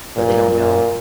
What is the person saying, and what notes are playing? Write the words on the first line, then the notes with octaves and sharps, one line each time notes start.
but they don't know,
A#2
A#2